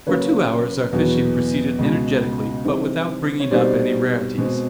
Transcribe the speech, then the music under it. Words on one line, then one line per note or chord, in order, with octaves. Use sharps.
For two hours our fishing proceeded energetically but without bringing up any rarities.
C#3 F#3 A#3 C#4 B4 C#5
E2 B2 F#3 B3
C#2 B2 G#3
C3 E3 G3 C4 D#4
C#5
B2 G3 C4 D#4 C5 D5
B2 G#3 C4